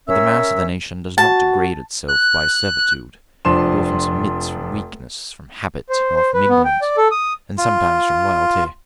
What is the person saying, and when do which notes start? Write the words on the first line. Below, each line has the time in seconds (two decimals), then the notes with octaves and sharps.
But the mass of the nation does not degrade itself by servitude: it often submits from weakness, from habit, or from ignorance, and sometimes from loyalty.
0.07 C#4 A#4 E5 E6
1.18 F#4 A5
2.08 F#6
3.45 F1 F3 D4 C6 E7
5.89 C5
6.16 C5
6.34 B4
6.49 B3
6.65 G5
6.82 D5
6.97 A4
7.11 D#6
7.58 F4